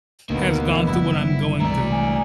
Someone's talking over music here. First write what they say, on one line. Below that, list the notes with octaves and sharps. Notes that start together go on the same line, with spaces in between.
has gone through what I'm going through.
D2 B2 A#3 B3 D#4
F#1 F3 G3 E4
C2 E3 G#3 A3 D5 A#5
G#5